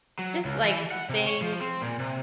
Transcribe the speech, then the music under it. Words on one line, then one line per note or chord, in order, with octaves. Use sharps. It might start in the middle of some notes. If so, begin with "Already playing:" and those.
just, like, k things,
F#3
C#2
E3
F#5
C3
C#5
F3
C4
A#2
C3